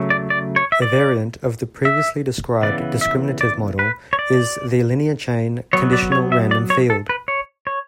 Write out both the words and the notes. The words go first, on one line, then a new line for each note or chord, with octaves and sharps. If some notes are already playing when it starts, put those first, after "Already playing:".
A variant of the previously described discriminative model is the linear-chain conditional random field.
Already playing: C#3 F#3 A3 C#4
D5
D5
C#5
E5
D5
E5
C#3 E3 B3 D5
E5
D5
B4
C#5
D5
F#3 B3 C#5
D5
C#5
E5
D5
C#5
A4
B4
C#5
C#5